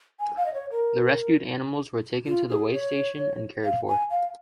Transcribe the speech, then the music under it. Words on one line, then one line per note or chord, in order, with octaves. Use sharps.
The rescued animals were taken to the Waystation and cared for.
G#5
F5
D#5
C#5
A#4
F4
G#4
C#5
F5
G#5
F5